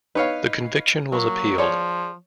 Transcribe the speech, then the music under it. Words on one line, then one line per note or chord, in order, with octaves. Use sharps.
The conviction was appealed.
D#4 B4 C#5 F5
F#3 A#3
F3 G#4 C#5 D5